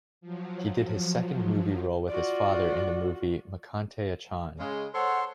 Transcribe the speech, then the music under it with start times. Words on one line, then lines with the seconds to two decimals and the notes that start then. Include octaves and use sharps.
He did his second movie role with his father in the movie "Makante Achan".
0.21 F3 F#3
2.09 F4 F#4 D5
4.59 C#3 G#3
4.94 A4 C5 C#5 F#5 C6